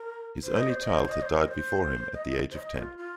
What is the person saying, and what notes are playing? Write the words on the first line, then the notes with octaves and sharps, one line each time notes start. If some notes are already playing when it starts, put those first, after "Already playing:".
His only child had died before him at the age of ten.
Already playing: A#4
C5
D#5
C5
D#5
C5
D#5
C5
D#5
C5
D#5
C5
D#5
F4
F4